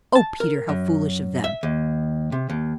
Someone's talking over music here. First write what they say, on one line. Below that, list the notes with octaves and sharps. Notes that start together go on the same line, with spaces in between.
"Oh, Peter, how foolish of them!"
A5
A#4
F#2
E5
D#2
C3
D#2